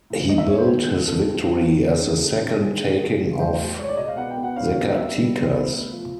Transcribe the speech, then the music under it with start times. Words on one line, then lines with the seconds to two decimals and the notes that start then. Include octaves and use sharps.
He billed his victory as the second taking of Zacatecas.
0.10 A2
0.29 C4 D#5
0.38 E5
0.48 C4 C#5
0.58 C5
0.68 D#3
0.87 G#3
1.07 F3 A4
1.26 C4
1.45 C#4
1.65 A#3
1.84 C#4 G#4
2.04 A#3
2.23 D3 A4
2.42 C4
2.61 D#3 G#4
2.82 C#4
3.01 F#3 G#4
3.21 F#3
3.39 A3 C5
3.59 A2
3.78 G#3 C#5
3.89 D5
3.98 B2 D#5
4.08 F5
4.17 B3 F#5
4.30 G5
4.37 B3
4.43 F#5
4.56 C#4 F5
4.76 A#3
4.89 D#5
4.95 B3 E5
5.14 G3
5.34 B3
5.53 B3
5.72 A3
5.92 F3